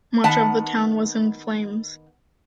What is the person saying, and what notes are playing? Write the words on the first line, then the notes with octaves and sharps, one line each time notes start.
Much of the town was in flames.
D#3 B3 F#5 A5